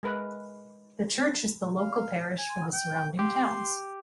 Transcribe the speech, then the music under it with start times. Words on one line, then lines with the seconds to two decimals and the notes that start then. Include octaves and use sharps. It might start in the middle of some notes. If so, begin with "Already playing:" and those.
The church is the local parish for the surrounding towns.
0.03 G#3 A#4 B4
1.77 F5
2.38 G#5
2.73 G5
3.19 G4 C6